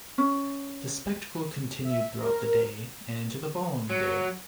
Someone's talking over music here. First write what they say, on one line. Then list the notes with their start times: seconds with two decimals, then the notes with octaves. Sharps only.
The spectacle continued throughout the day and into the following day.
0.18 C#4
1.84 E5
2.19 A#4
3.90 F#3